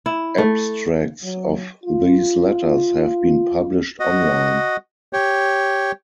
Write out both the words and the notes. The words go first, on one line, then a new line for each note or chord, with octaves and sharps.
Abstracts of these letters have been published on line.
E4
A3
F#3
F4
F#4 D#5
G4 C#5